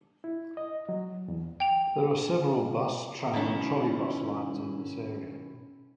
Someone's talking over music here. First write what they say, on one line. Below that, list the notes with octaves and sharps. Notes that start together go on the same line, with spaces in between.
There are several bus, tram and trolleybus lines in this area.
E4
D#5
F#3
E2
G5 F7
B2 D#3 C#4 E4